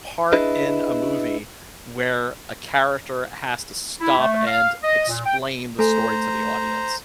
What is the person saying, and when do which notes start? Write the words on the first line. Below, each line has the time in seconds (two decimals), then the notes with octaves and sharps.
part in a movie where a character has to stop and explain the story to the audience.
0.33 D4 E4 G#4 B4 D#5
4.00 E4
4.18 A3
4.46 F5
4.82 D#5
5.08 A#2
5.25 G5
5.79 A3 A4 C5 G#5 A#5